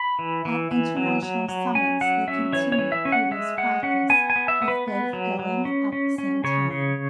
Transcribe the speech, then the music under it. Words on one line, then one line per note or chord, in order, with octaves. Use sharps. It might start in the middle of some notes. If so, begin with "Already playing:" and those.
At international summits they continued previous practice of both going at the same time.
Already playing: B5
E3
E3
E3
F#3
F#3
F#3
C#4 G#5
F#3 F#5
C#4 E5
E3 C#5
C#5
E3
E5
C#4
F#5
G#3 E5
G#3 F#5
C#4 F#5
B3 G#5
G#5
B3
E5
B3
B4
B3
F#3
F#3
C#4
C#4
C#4
C#3 C#5
C#3